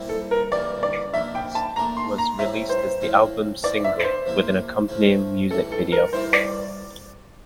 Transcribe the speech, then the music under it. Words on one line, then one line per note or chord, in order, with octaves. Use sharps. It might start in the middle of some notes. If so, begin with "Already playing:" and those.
"Lozin' Must" was released as the album's single, with an accompanying music video.
Already playing: A#2 G3 C4 E4
A4
A#4
E3 G3 A#3 D5
D5
F3 A#3 D4 E5
G5
A5
A#2 A3 D4 A#5
C6
A#5
A2 G3 C4 E4 E5
C5
A2 F3 C4 E4
F3 C4 E4 D5
E5
C5
C3 F3 A#3 E4
F3 A3 C4 E4
A2 E3 G3 A4
A4
A#4
E3 G3 C4 E4 C5
D5